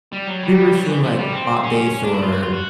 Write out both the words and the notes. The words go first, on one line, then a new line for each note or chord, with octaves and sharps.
have you ever seen, like, Pop Bass or
G3
F#3
G3
F#3
E3
F3
G3
C4
C#4
C#4
D4
E4
F4
F#4
F4
F#4